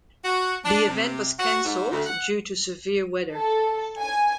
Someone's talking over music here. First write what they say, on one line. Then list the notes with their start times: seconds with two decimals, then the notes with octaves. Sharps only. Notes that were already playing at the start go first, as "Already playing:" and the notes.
The event was cancelled due to severe weather.
0.24 F#4
0.65 D4
0.88 C3
1.39 F#4
1.64 G#2
1.91 D2
2.06 F#5
3.35 A4
3.99 G#5